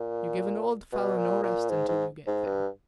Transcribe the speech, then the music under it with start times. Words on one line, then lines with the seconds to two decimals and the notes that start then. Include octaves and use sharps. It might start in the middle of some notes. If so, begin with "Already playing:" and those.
You give an old fellow no rest until you get there.
Already playing: A#2
0.92 B2
1.18 A#2
1.43 A#2
1.69 G#2
1.88 G#2
2.27 G#2
2.46 G2